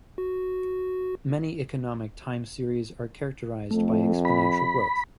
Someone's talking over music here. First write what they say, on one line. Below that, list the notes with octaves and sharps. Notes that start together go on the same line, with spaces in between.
Many economic time series are characterized by exponential growth.
F#4
F2 A3
B5